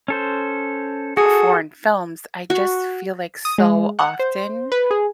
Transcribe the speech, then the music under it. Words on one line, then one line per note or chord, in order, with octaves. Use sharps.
foreign films. I just feel like so often,
C#4 A4 C5
F#4 G#4 A4
F#4
D#6
G#3
F#5
C5
B4
G#4